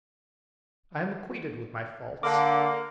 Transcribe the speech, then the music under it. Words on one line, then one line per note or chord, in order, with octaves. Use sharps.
'I am acquainted with my faults.
D3 A#3 F5 D6